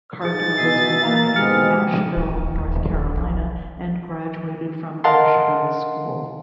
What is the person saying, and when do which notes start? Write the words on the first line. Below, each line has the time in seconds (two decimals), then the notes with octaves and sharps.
Carter was born in Asheville, North Carolina and graduated from Asheville School.
0.25 D#4 G#4 A6
0.58 B2 E5 G#5 C7
1.03 A#3 F5 A#5
1.36 G#2 B2 G#3 G4 F6 C#7
2.16 D1
2.54 D#1
2.93 D#1
3.16 B1
5.04 A#4 D#5 F5 F#5 A5 C6